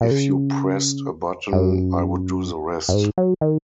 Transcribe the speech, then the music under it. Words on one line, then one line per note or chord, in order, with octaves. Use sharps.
If you pressed a button, I would do the rest.
A#2
C#3
F#2
F#2
G#2
F#3
D#3